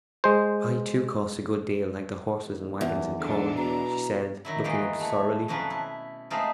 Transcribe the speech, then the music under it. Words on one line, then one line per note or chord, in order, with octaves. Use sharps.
"I, too, cost a good deal, like the horses and wagons and corn," she said, looking up sorrily.
G#3 C5
D#2
E2
D3 E3 F#3 D4
B2 A#5
D#3 F#3 E4
E2 E3 G#3 A#3 G5
A3 C#5
F2 B2 F3 F#3 C#4 B4
E4
G#3 A3 B3 C4 D#4 F4